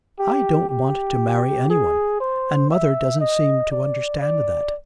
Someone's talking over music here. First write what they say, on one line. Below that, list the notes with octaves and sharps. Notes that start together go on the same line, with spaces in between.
I don't want to marry any one, and mother doesn't seem to understand that.
G4
G4
G#4
C5
E5
D#5
D5
D5